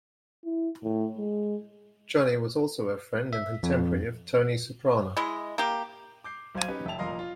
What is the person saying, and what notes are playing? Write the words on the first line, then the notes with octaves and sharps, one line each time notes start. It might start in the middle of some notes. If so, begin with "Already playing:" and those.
Johnny was also a friend and contemporary of Tony Soprano.
E4
A2
G#3
E5
F2
G#3 E4 D#5
A#3 G4
D6 G6 C7
B1 C5 F5 G#6 D#7
C#4 D#4 G4 B4
F1 E5 G5 A5 F7
F1 A#2 A#4 D#5 F5 C6
F4